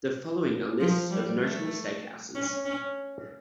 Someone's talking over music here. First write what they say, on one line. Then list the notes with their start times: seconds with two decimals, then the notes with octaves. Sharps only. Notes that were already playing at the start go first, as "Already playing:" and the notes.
The following are lists of notable steakhouses.
0.80 F3
1.11 G3
1.42 A3
2.35 C#4
2.65 C#4